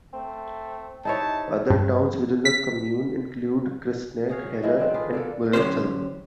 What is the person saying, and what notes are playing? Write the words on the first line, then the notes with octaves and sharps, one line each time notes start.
Other towns within the commune include Christnach, Haller, and Mullerthal.
A3 C4
C3 D#4 E4 C#5 A5
G2
B6
F#4 G#4 C#5 F5
F#4
F3 F#3 G#3 E4
D3 D#3 C4 D4
F4 G#4 B4
D3 A#3 A4
F#2 A2 D3 C#4 G4 C5